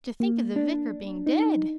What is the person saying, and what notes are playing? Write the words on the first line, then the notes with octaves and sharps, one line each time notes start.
To think of the Vicar being dead!
A#3
D4
D#4